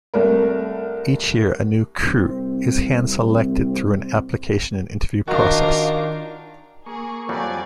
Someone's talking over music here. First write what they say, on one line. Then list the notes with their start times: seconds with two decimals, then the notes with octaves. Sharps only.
Each year a new Krewe is hand selected through an application and interview process.
0.14 C2 A3 A#4
2.11 C2 C4
5.28 D#3 D4 F4 F#4 A#5 D6
6.86 A#3 G#4 C#6
7.29 F2 F#3 G3 D5 G#5